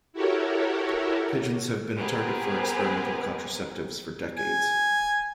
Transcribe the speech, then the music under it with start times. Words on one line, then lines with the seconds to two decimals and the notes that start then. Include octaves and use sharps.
Pigeons have been a target for experimental contraceptives for decades.
0.13 E4 F#4 G4 A4 A#4 C#5
1.96 B3 C4 G4 G#4 A#4 B4
4.38 G#5